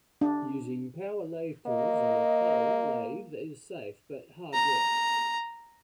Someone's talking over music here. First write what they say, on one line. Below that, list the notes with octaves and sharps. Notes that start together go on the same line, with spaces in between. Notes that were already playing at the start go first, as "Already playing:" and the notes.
Using power lathe tools on a pole lathe is safe, but hard work.
D4
A#3 D#5
A#5